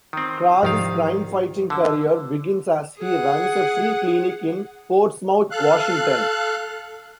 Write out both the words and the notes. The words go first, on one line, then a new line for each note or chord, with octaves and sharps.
Cross's crime-fighting career begins as he runs a free clinic in Portsmouth, Washington.
D#3 C4
C2 G#2 D#3 F3 F5
D3 A5 E6
G#4 F#5
A4 F5 F#6